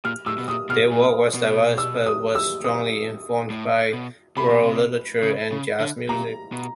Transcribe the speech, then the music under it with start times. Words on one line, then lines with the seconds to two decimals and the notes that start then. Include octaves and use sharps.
Their work was diverse but was strongly informed by world literature and jazz music.
0.05 A#2 F6
0.26 A2 E6
0.38 B2
0.48 A#2 D#6
0.69 B2 F6
0.92 A#2
1.35 B2
1.78 E6
2.06 D#6
2.35 E6
2.64 D#6
3.50 A2
3.93 B2
4.37 C3 B5
4.50 B2
4.63 C3
5.23 C#3
5.52 C#3
5.80 D3
6.09 A#2 A#5
6.52 B2